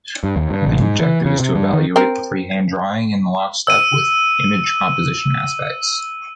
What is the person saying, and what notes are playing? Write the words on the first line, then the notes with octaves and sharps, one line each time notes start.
The objective is to evaluate the freehand drawing in lockstep with image composition aspects.
G2
D#2
G2
A1
G#2
E3
C#3
C3
G2
D#3
C4 A#4
E6 D#7